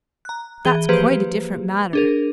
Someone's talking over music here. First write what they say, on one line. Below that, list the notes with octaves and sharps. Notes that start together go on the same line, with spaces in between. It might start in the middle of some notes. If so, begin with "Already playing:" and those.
"That's quite a different matter."
A#5 F#6
E3 G#4 G#6 G7
F3 A#3 G4 G#4 B4 C5
D4 G#4 A#4